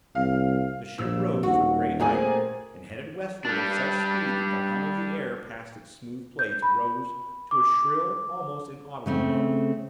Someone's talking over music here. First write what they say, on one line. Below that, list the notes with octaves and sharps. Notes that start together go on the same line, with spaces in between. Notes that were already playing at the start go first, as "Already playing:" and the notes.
The ship rose to a great height, and headed westward at such speed that the hum of the air past its smooth plates rose to a shrill, almost inaudible moan.
C2 F5
A#1 A#2 E6
D#1 F#4
A#2 A3 A#3 C4 G#4 G#5
G3 D4
G6
B5
D6
C#3 A3 C4